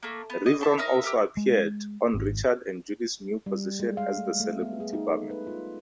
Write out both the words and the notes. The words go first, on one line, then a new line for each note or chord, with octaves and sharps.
Rivron also appeared on "Richard and Judy's New Position" as the celebrity barman.
A3 A#3
B3
D#5
E5 A5 C6
D#4 A#4 E5
G4 A#4 E5
G#3
G#1
G3
G#3
F5
A3
A3
B3
G#4
D#4
A4
B4
F4